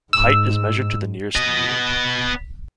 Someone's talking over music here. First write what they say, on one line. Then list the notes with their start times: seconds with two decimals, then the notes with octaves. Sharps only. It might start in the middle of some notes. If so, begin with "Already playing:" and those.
Height is measured to the nearest metre.
0.13 G#2 E6
1.36 B3 D#5